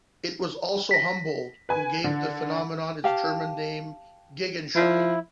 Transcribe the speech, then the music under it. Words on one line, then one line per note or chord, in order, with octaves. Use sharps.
It was also Humboldt who gave the phenomenon its German name Gegenschein.
A#6 B6
B4 G#5
D3
G4 F5 A5
F3 E4